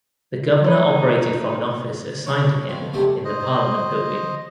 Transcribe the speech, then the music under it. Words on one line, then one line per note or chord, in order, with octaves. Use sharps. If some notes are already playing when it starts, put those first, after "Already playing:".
The Governor operated from an office assigned to him in the Parliament Building.
A3 D#4 C#5 B5
D4 C#5
F2 B2
B1 G2 C3 F#3 G3 A3
C5 D#5